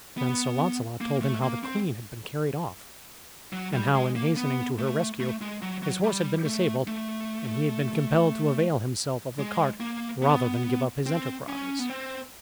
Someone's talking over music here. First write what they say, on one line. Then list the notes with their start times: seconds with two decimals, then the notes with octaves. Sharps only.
Then Sir Launcelot told him how the queen had been carried off, and how, in hastening to her rescue, his horse had been disabled and he had been compelled to avail himself of the cart rather than give up his enterprise.
0.17 B3
1.01 A#3
1.22 A3
1.42 A#3
1.64 C4
3.53 F#3
3.73 G3
3.95 G#3
4.16 A#3
4.37 B3
4.79 A3
5.20 A3
5.41 G#3
5.62 F#3
5.83 F#3
6.03 G3
6.45 A3
6.87 A3
9.39 G#3
9.80 A#3
10.22 B3
11.06 C4
11.48 C#4
11.79 B3
11.90 C4